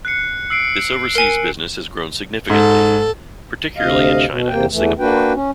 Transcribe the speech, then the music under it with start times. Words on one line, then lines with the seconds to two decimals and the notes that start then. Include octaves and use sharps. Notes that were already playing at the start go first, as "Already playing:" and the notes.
This overseas business has grown significantly, particularly in China and Singapore.
0.05 F#6 C7 C#7
0.50 E6 C7 D7
1.15 A#4 G#5
2.50 G#2 A4
3.76 D2 C3 D#5 F5
4.26 B2
4.49 E2 C3 A#3 G5
4.71 E2 E3 A3
4.99 A#3 D4 F#4 B4 G5
5.33 C#4